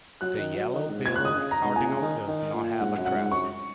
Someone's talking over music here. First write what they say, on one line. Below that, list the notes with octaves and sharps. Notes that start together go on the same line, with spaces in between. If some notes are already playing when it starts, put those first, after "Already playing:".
The yellow-billed cardinal does not have a crest.
F#3 F#6
D#3
F#3
D#3
G#2
A#2 G#6
F#6
D#3 D#6
C#3
A#5
G#2
A#2 G#5
C#3
D#3
D#3
A#2
G#2 F#5
F#2
F#5
G#2
F#2 C#6